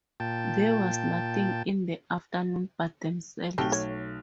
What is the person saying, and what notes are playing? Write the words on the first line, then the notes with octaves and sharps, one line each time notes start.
There was nothing in the afternoon but themselves.
A#2 G5 A5
B1 A3 C4 G4 A5 G7
C#5